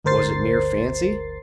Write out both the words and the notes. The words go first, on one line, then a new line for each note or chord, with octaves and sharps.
Was it mere fancy?
G1 D2 A#4 C5 A6 C7